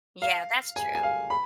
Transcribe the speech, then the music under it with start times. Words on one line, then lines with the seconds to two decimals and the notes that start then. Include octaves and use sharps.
Yeah, that's true,
0.22 F5
0.76 G#5
0.95 G#5
1.03 F5
1.30 B5